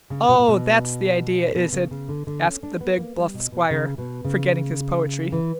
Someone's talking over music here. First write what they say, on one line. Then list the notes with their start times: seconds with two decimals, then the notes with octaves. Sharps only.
"Oh, that 's the idea, is it?" asked the big bluff Squire, forgetting his poetry.
0.10 C#3
0.29 B2
0.39 A#2
0.48 B2
1.55 B2
1.72 C#3
1.91 C#3
2.09 D3
2.27 D3
2.45 C#4
2.63 D4
2.81 B3
2.98 A#3
3.17 G3
3.34 B2
3.52 B2
3.71 C#3
3.98 B2
4.25 C#3
5.32 E3